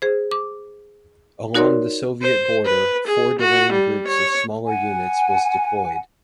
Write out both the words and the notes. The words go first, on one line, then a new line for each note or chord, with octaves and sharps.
Along the Soviet border four delaying groups of smaller units was deployed.
G#4 C5
D6
D#4 F#4 A#4 C#5 D5 C6
C5
B4
G#4
F#4
G3
C#5
F#5 G#5